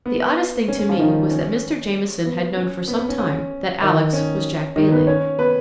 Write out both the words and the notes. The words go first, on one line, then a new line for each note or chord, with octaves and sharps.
The oddest thing to me was that Mr. Jamieson had known for some time that Alex was Jack Bailey.
B3
C#4
C#4
F3 F4
D#3 D#4
C#4
B3
C#4
B3
B3
C#4
C#4
D#3 D#4
C#4
D#3 D#4
B3 B4
C#4 C#5
B3 B4